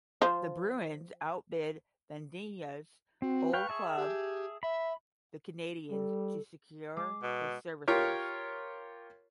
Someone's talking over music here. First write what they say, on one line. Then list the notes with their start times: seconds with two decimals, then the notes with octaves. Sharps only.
The Bruins outbid Vadnais' old club, the Canadiens, to secure his services.
0.22 F3 C5
3.22 C4 F#4
3.53 B4 F5 G5 C#6
3.69 G#4 E5 A5
3.96 G4
4.63 E5 B5
5.91 G3 A4
6.97 G#3 D6
7.23 B2
7.88 F4 G4 A#4 C#5